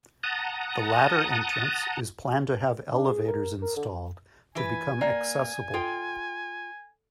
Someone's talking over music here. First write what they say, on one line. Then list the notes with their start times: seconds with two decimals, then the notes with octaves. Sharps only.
The latter entrance is planned to have elevators installed to become accessible.
0.23 F#5 A5 A#5 D#6
2.92 D4
3.07 G#4
3.28 A#4
3.62 A#4
3.77 D3
4.55 E3 B4 G#5
5.01 A#3 D5 G5
5.74 F4 A4 G5